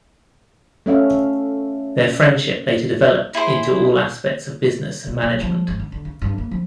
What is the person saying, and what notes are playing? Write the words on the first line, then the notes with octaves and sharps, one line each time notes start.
Their friendship later developed into all aspects of business and management.
A3 C#4 E5 F5
E4 G#4 C5
B2
B1
F3
G#1
D#3
D3
C#3
G2
A#3
F3